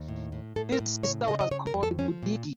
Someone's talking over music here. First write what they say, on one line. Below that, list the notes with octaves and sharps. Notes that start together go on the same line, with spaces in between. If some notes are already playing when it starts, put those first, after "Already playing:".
His sister was called "Budigi".
Already playing: D#2
A2
A2
A2 A4
A#4
A2
C#3 C#5
C#3 D#5
D#5
C#3 C#5
A#4
F2
A4
F3 C#4
A#2